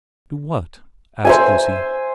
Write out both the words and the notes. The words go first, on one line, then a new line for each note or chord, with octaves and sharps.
'Do what?' asked Lucy.
C5 E5 G#5